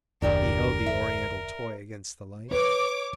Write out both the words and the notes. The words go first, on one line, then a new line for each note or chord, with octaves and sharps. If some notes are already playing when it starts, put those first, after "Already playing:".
He held the oriental toy against the light.
F#1 D#2 D4 G4 A#4 D5
E5
B4 C#5 D6